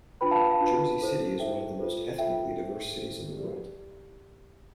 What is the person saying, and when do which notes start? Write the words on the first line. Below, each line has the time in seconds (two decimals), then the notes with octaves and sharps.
Jersey City is one of the most ethnically diverse cities in the world.
0.21 D4 F4 B4 G5 B5
0.31 F5 A5
0.51 F5 A5
0.60 D4 F4 B4
1.00 E4 A4 C5
1.39 E4 A4 C5 E5 G5
1.79 F4 A4 C5
2.18 F4 A4 C5 E5 G5
2.57 E4 A4 C5
2.97 E4 A4 C5
3.37 E4 G4 D5